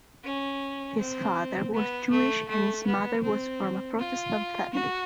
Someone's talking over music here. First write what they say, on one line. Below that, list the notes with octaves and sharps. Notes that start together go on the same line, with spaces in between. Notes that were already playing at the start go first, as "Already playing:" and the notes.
His father was Jewish and his mother was from a Protestant family.
C#4
C4
B3
A3
A3
B3
C4
F4
F#4